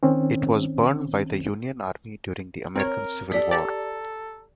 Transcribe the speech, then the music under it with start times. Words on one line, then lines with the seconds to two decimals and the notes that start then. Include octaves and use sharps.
It was burned by the Union Army during the American Civil War.
0.03 D#3 C4 C#4
2.76 C4 A#4 C#5
3.31 G4 A4 D5 D#5 B6
3.51 G4 A4 D5 A#5